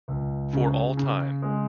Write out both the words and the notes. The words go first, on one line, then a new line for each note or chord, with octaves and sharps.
For All Time.
C#2
C#3
C#3
G#3